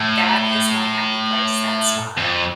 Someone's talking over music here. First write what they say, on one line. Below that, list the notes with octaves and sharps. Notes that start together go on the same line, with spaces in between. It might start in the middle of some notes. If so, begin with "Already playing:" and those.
that is my happy place, that spot.
Already playing: A2
F2